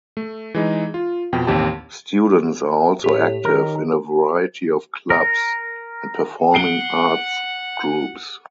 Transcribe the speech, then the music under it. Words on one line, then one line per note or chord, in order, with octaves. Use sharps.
Students are also active in a variety of clubs and performing arts groups.
A3
E3 G#3 D#4
F4
F2 B2 G5
A1 D#2 C4 G4 A5
A2 G4 C#5
D#3 A#4
A#4
F#5 C7 D7 G7